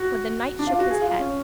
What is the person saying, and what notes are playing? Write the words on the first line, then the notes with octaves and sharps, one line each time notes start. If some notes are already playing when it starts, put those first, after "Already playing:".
But the knight shook his head.
Already playing: F#4
D4
F4
F#4
G#4
F4
C#4